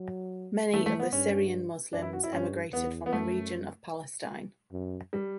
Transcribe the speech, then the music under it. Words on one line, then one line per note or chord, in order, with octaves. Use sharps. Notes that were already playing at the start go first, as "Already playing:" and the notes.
Many of the Syrian Muslims emigrated from the region of Palestine.
Already playing: F#3
E3 A3
A3
B3
G2 C#4
F#2 D4
E4
F#4
E4
G2 C#4
E2 B3
B3
F#2 A3
F#2
G3